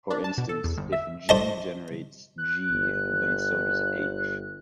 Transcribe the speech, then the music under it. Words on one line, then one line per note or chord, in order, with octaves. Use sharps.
For instance, if "g" generates "G", then so does "h".
D4
A5
B2
A4
E2
G1
E5
C5 D#5 A5
F#6
G1